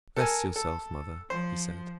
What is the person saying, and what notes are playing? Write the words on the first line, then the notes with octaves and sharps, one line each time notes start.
"Rest yourself, mother," he said.
A4 A#4 G#5
A4
F3 C5